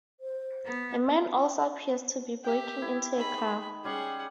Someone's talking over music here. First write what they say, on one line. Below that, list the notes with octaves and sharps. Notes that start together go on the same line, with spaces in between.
A man also appears to be breaking into a car.
C5
B3
G4 E5 G5
E4
D#3 G#4 B5
G3 C#4 G#4 F#5 C6